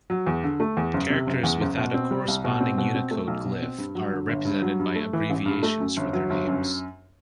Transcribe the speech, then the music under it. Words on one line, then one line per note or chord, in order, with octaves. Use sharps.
Characters without a corresponding Unicode glyph are represented by abbreviations for their names.
F#3
E2
D3
A3
E2
F#1
C3
F#1
E2
F#1
B2
C4
G3
C2
B2
C4
B2
C4
A3
B1
B2
C4
G2
F#3
D3
G1
G2
F#3
G2
A3
E3
A1
G2
A3
F#2
G1
F#3
G1
F#2